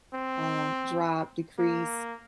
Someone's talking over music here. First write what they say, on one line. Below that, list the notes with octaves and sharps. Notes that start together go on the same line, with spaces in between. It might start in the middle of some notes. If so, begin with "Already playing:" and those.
uh, drop, decrease.
C4
A#3